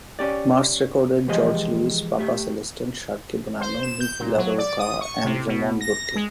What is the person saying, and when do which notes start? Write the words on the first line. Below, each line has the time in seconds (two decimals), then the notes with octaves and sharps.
Mares recorded George Lewis, Papa Celestin, Sharkey Bonano, Nick LaRocca, and Raymond Burke.
0.19 C#4 G4 D5
1.28 E3 F3 G#3 G4 D#5
2.18 A3 G4 E5
3.61 C5
3.83 E7
4.00 G6
4.20 A#2
4.38 F#3
4.58 D5
4.79 D#6
5.01 C#6
5.25 C3
5.47 B2
5.81 A#6
6.15 G#3